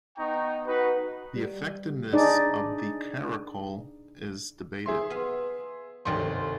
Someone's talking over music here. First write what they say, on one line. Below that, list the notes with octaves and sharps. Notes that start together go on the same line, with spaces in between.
The effectiveness of the caracole is debated.
B3 D#4 G5 A#5 C#6
D#4 F#4 B4
G3
D4 D#4 G#4 D5
G#4 E5 C6
B3 F5
G1 D2 C3 D#3 G3 C6